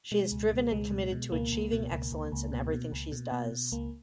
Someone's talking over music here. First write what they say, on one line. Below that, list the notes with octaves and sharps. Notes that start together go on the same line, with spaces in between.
She is driven and committed to achieving excellence in everything she does.
B2 G#3
C#2
B2
C#2 G#3
B2
B2
C#2 A#3
C#2
B2
C#2
C#2
C#2
B2
B2
C#2
B2
B2
B2
C#2 A#3